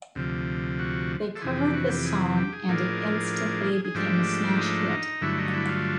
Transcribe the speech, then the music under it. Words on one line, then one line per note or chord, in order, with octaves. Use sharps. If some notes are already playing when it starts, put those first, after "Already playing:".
They covered the song and it instantly became a smash hit.
D2 C3 F3
F#4
A4
F2 C3 E3 G#4
G4
F#4
G4
G#4
G4
G#4
A2 F3 A#3 D4
G#4
G#2 F3 A3 D4 G4
D#4
D#4
G2 D3 F#3 A3 E4
D#4
E4
F4